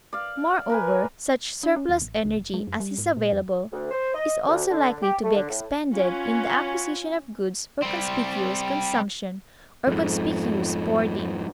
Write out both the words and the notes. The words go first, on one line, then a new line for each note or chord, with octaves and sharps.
Moreover, such surplus energy as is available is also likely to be expended in the acquisition of goods for conspicuous consumption or conspicuous boarding.
D5 F5
A#4 B4 G#5
D4
C#4
D#2
A1
C#2
F1
G#3
F#2
G3
G#2
A#2
F2
D2
C5
D#5
D2
D3
G4
A3
D3
A2
C#4 F4 F#4 B4 C#5
G3 C4
F2 G#2